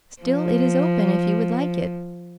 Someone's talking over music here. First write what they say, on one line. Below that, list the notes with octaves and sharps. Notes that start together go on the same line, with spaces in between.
Still it is open, if you would like it.'
F3